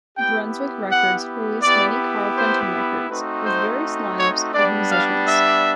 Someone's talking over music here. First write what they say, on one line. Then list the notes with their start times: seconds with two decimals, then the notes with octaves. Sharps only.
Brunswick Records released many "Carl Fenton" records, with various line-ups of musicians.
0.17 B3 E4 G4 G5
0.90 F#5
1.62 B3 E4 G4 D5
2.36 C5
3.09 A3 C4 D#4 F#4 B4
3.45 C5
4.18 C#5
4.54 G3 B3 D4 D5
4.91 F5
5.27 E5